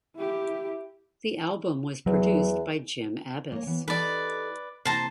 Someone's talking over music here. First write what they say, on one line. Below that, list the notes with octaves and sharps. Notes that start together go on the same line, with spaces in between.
The album was produced by Jim Abbiss.
E4 G4
E2 F#3
A#3 C#5
E3 B3
D#4 G4 A4 B4 D5
C3 A#3 E4 C5 A5 A#5